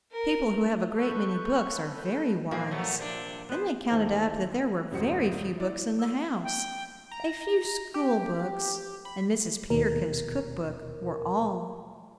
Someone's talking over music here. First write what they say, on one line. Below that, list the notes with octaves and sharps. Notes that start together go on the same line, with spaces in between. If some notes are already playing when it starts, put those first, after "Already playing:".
"People who have a great many books are very wise." Then they counted up that there were very few books in the house,--a few school-books and Mrs. Peterkin's cook-book were all.
A#4
A4 B4 C#6 G6
A#2 F3 A#3
F#3 A3 B3
G2 C3 D4
B3 B4 C5
D#2 E3 D#4 A4 C5 F7
D#1 F#2 G3 C4 F#4 C#7
E4 D5
E6
G5
A#5
G4
B5
D#2 B2 A#4